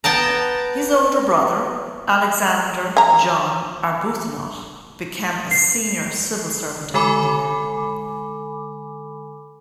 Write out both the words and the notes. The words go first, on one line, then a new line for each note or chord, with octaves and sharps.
His older brother, Alexander John Arbuthnot, became a senior civil servant in India.
B3 G5 A5 A#5
G#5 A#5
C7
D3 G#3 A4 G#5 B5 D6